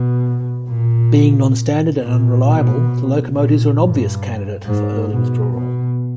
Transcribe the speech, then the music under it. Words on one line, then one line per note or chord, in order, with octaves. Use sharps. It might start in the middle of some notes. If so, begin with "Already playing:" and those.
Being non-standard and unreliable, the locomotives were an obvious candidate for early withdrawal.
Already playing: B2
A#2
A#2
B2
A#2
G2
G#2
B2
B2